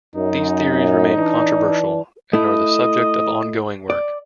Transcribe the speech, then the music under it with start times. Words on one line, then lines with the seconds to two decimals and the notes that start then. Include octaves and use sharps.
These theories remain controversial and are the subject of ongoing work.
0.16 F#2 D#4
1.15 E3 D4
2.33 A3 E4 D#5
3.90 D5